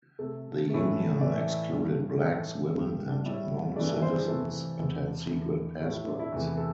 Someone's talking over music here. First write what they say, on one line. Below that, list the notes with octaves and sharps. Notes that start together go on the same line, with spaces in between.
The union excluded blacks, women, and non-citizens, and had secret passwords.
C3 A3 A4
A2 E3 A3
A2 E3 A3 D5
E5
D5
G2 D3 G3
A2 E3 A3 A4
G2 D3 G3 G4
G4
D4
A2 G3 E4
G2 E3 A3 D5
C5
C3 E3 A3 A4
E2 C3 A3
E2 D3 A3
A2 A3 G4
E4
D4
E4
E2 C3 E3 A3
A4